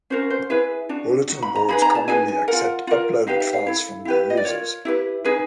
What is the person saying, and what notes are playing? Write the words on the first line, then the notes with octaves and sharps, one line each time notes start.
Bulletin boards commonly accept uploaded files from their users.
C#4 F#4 A#4 C5
C5
E4 G#4 B4 E5
D4 F#4
D#4 F#4
B5
A#5
D#4 G#4 B4 B5
A#5
A5
D#4 G#4 B4 G#5
G#5
F4 A#4 F#5
F4 A#4
D#4 G4 B4 F5
E5
F5
E4 A4
E4 G4 B4
D#5
D5
F4 A#4 C#5
E4 G4 B4
D#4 G#4 B4